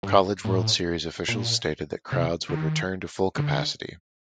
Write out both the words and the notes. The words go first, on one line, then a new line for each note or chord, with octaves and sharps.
College World Series officials stated that crowds would return to full capacity.
G2
A2
A#2
C3
D3
D#3
D3